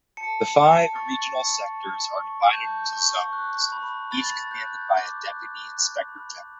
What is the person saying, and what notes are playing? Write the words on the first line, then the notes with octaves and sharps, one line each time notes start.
The five regional Sectors are divided into Zones, each commanded by a Deputy Inspector-General.
A5 C#7
A5
C#6 A6
A5
A5
C#6
A5 G6
C#6
F#6
B5
B5 A6
F#6 G6
D6
F#6
F#6
B5